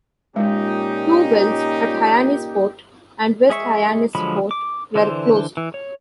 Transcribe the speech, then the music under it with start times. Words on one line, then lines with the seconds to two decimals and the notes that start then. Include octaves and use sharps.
Two wells, at Hyannisport and West Hyannisport, were closed.
0.36 A#2 G#3 C#4 D#4 G4
3.49 G#3 G#4 E5 C#6
4.15 D3 F3 F#3 G#3 B5
4.51 D6
4.95 D3 E3 D4 C5 C6
5.57 E3
5.74 C#5